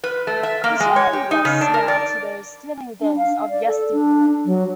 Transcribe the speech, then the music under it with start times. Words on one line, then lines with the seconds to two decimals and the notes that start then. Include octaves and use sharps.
Return with us now to those thrilling days of yesteryear!
0.04 B4
0.27 A3
0.43 E5
0.64 A#3
0.80 G#3
0.96 C#5
1.13 G4
1.31 D#4
1.45 C#3
1.61 D4
1.74 A#4
1.88 D5
3.00 D4
3.17 F5
3.50 D5
3.67 A4
3.92 D4
4.45 F#3